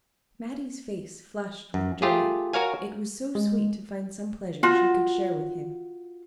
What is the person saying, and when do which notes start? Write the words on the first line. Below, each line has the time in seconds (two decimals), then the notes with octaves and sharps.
Mattie's face flushed with joy; it was so sweet to find some pleasure she could share with him.
1.74 F#2
2.02 A3 F4 G4 G#4
2.53 F#4 A#4 C#5 F5 G#5
3.35 G#3
4.63 F4 F#4